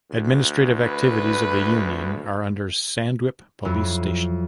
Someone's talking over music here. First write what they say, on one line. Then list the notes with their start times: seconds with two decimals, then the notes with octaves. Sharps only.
Administrative activities of the union are under Sandwip police station.
0.11 D2
0.83 B4
3.65 F2 F#3 E4